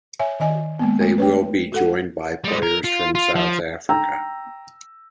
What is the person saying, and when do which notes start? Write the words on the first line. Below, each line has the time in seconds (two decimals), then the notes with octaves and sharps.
They will be joined by players from South Africa.
0.19 C#5 E5 G#5
0.40 D#3 D#5 G#5
0.79 G#3 A#3 B3
1.01 G#3 A3 F#4
1.18 B4 C#5 G5
1.72 F#4 A4 F#5
2.44 G3 G#3
2.63 A#4
2.84 F4
3.15 F4
3.35 F3
3.89 G5 A#5 E6